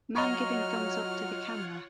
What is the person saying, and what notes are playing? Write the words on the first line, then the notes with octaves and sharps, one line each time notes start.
Man giving thumbs up to the camera.
F#3 F4 C#5 D#5 F#5 A#5 C#6 F6